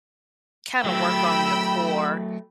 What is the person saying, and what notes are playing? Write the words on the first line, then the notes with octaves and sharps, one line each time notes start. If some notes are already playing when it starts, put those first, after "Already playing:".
kinda work on your core,
F#3 A3 G5 B5 E6